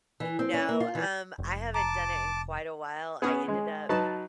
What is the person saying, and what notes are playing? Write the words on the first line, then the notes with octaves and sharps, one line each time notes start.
No, um, I haven't done it in quite a while, I ended up
E3
C4
C#4
A#3
F4
E3
F1
A5 A#5 D6
B3 C#4 G#4
G#3
F#3 D#4 B4 A5